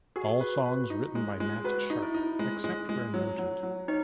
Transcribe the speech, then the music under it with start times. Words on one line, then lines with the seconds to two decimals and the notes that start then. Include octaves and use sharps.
All songs written by Matt Sharp, except where noted.
0.16 F#4 G#4
0.41 B4
0.65 B4
0.90 D#4
1.15 G#3
1.40 G#3
1.64 F#4 B4
1.90 D#4
2.02 E4
2.14 D#4
2.39 G#3
2.64 G#3
2.89 G#3
3.14 F#3
3.38 F#3
3.63 F#3
3.88 D#4 C#5